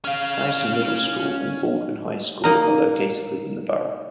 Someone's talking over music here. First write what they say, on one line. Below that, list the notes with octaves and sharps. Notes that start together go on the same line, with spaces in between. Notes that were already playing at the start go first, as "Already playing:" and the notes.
Harrison Middle School and Baldwin High School, are located within the borough.
C#4 F5
A#3 D#4 A#4